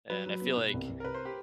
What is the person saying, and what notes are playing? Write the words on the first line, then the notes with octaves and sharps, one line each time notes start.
And, I feel like
F#3 B4
F#3
B3
B2
C2
C2
A#4
C3 B4
C5
G4